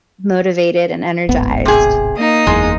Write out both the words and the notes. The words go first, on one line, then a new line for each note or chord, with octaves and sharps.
motivated and energized.
D1 G#1 B3
C3 G#4
A#3 D#4 D#6
F#1 E2 G#3